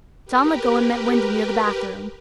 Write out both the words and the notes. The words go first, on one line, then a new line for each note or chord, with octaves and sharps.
John let go and met Wendy near the bathroom.
G4 A#4 B4